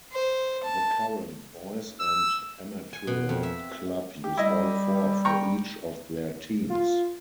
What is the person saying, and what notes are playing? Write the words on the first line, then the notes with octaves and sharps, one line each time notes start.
The current boys and amateur club use all four for each of their teams.
C5
A5
E6
G#5
B2
F2
E5
G4
G3 E4 D#5
G5 A#5 C#6
F4